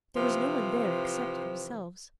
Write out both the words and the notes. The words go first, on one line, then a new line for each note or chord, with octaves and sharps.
There was no one there except themselves.
C3 E3 F3